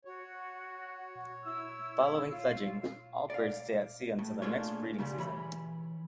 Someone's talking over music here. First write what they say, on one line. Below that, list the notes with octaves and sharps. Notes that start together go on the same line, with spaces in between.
Following fledging, all birds stay at sea until the next breeding season.
F#4 C#5
E4 E6
F4
D5 F5
A2
A3 A#3 D4 F4 G#4 C#5
A2 C#3 G3 G#3
E3 C#5 B5